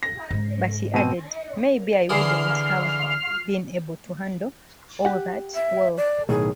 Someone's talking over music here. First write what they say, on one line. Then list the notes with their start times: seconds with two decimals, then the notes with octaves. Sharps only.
But he added: maybe I wouldn't have been able to handle all that wealth.
0.03 A#6
0.31 G#2 C#3
0.94 B2 C4 D#7
2.09 D3 E3 G#4 F6 C7
5.05 G4 F#5
5.55 E5
5.97 D5
6.29 B1 A2 D#3 G#4